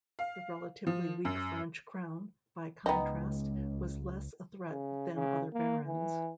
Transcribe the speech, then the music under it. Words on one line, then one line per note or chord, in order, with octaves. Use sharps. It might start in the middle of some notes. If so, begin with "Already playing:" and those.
The relatively weak French crown, by contrast, was less a threat than other barons.
F5
F3
F#2
C#2 B3 D#4 D#5 G5 A#5
C#3
C#3
A#3
E3